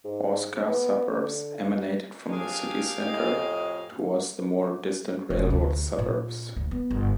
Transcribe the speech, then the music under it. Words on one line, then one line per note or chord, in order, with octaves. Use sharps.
Horsecar suburbs emanated from the city center towards the more distant railroad suburbs.
G#2
B3
D3
D4 G4 G#4 A#4 F5 G#5
F2 A2 D#5
F1
D2
A#2
D2
B3
G1